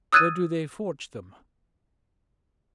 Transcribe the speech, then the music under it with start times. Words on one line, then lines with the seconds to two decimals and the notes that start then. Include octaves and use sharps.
Where do they forge them?
0.13 D#6 E6 F#6 G#6 A6 D#7